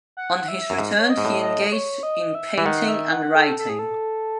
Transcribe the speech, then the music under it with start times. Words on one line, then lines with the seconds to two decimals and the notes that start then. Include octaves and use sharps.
On his return he engaged in painting and writing.
0.17 F#5
0.48 E5
0.70 F#2
0.79 G#2
0.98 C#5
1.10 D#5
1.18 G#2
1.25 A2
1.41 D#5
1.72 C#5
2.03 D#5
2.35 E5
2.58 E3 E5
2.65 D#3 F#5
2.88 E5
3.12 F#5
3.35 A4
3.59 A4
3.69 G#4
3.79 A4